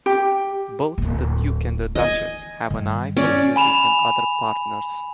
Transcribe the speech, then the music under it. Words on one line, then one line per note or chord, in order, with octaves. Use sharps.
Both the Duke and Duchess have an eye for beauty and other partners.
G4
D1 G1
E3 D#5 G#5
G2 D#3
C#4 D5
G#5 B5 E7 F7